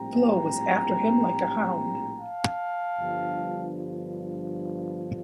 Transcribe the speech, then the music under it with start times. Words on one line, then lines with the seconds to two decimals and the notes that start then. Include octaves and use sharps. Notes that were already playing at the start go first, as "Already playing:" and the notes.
Flo was after him like a hound.
Already playing: A#1 A2 G3 C4 G5 A#5
2.17 F5 A5
2.98 G1 G2 F3